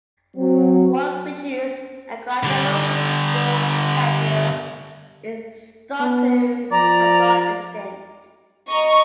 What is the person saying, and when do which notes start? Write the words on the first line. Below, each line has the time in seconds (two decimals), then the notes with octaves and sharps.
One species, the Guadalupe storm petrel, is thought to have gone extinct.
0.37 F#3 C4
2.44 D3 G3
6.00 B3
6.72 F3 D5 A#5
8.69 D#5 A#5 C#6